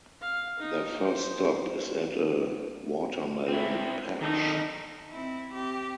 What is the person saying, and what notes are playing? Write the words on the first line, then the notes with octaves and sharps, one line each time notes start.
Their first stop is at a watermelon patch.
F5
D#4
C5
C4 E4
D#3 D#4 A4
C4 E4
C4 G4